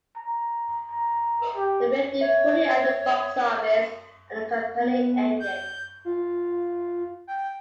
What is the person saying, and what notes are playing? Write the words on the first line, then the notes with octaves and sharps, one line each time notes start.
The film did poorly at the box office, and the company ended.
A#5
A#5
G4
C#5 E5
B3
G6
F4
G5